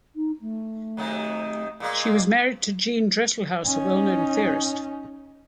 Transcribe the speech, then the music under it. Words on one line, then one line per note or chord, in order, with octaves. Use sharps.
She was married to Gene Dresselhaus, a well-known theorist.
D#4
A3
C3 D#3 F#3
A#2 G#3 A#3
C#4 D#4